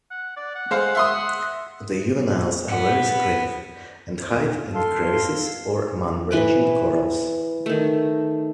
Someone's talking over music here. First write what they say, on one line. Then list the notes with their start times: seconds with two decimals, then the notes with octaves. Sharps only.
The juveniles are very secretive and hide in crevices or among branching corals.
0.11 F#5
0.37 D5
0.55 F#5
0.71 G#3 C5 F5
0.95 E5 C6 D#6
2.69 B3 F#5
4.07 E2
4.74 A4 F5 C6
6.31 E3 B4 D6
7.66 D#3 A3